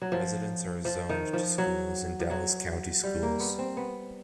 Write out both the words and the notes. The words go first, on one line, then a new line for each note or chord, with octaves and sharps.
Residents are zoned to schools in Dallas County Schools.
F#3
F3
F3
D#3
F3
F#3
F3
F#3
G3
A#3
B3
C4
B3